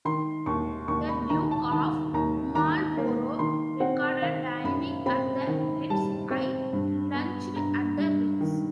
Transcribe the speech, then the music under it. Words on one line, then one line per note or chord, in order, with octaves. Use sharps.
The Duke of Marlborough recorded dining at the Ritz; I lunched at the Ritz.
D#3 C6
D#2 C#6
D#2 C#6
B5
D#3 A#5
A5
D#3 A5
D#2 A#5
D#3 A#5
A#3
D#3 C6
C4 F#5
D#3 F5
F#2 B5
C4 B5
D#3
G3 A5
C4
G2
B3
G2 A#5
G2
D#3